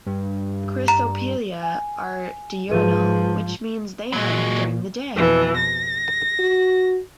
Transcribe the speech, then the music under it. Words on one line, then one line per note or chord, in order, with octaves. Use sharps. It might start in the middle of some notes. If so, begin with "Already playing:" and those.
"Chrysopelea" are diurnal, which means they hunt during the day.
G2
A#5
G#5
G#2 F3 G#4 B4 D#7
A#2 F#3 G#3
F2 B2 E3
A#6
F#4